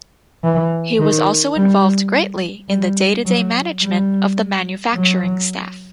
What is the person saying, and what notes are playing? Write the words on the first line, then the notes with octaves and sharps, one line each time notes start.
He was also involved greatly in the day-to-day management of the manufacturing staff.
E3
D#3
G3
G3
F#3
G3
F#3